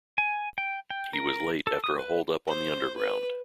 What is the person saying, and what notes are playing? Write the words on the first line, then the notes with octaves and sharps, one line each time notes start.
He was late after a holdup on the Underground.
G#5
G5
G5
A#4
A4
D#6
B4
C5
B4